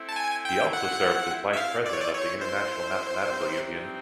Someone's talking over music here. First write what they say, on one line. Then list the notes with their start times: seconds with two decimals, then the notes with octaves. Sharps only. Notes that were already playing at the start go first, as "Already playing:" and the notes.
He also served as Vice-President of the International Mathematical Union.
Already playing: A3 C4 E4
0.09 A5
0.16 G#5
0.45 G5
0.73 F#5
1.53 E5
1.57 F5
1.86 D5
1.93 C#5
2.01 D5
2.14 C#5
2.41 C5
3.26 E3 G3 C4 D#4